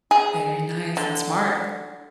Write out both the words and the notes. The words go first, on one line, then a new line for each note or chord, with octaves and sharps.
Very nice and smart.
G#4
D3